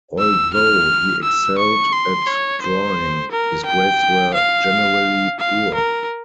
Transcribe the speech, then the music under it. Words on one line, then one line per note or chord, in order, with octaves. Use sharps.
Although he excelled at drawing, his grades were generally poor.
E6
F6
E6
C#6
C6
C#5
C5
A#4
G5
F5
F5
A#4